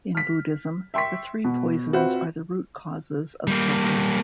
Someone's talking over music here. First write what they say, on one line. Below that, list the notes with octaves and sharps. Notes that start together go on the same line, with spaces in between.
In Buddhism, the three poisons are the root causes of suffering.
F6 B6
E5 G5 C6 C#6 B6
B2 B3
C4 F4 F#4 B4 C5 E5
G3 A#3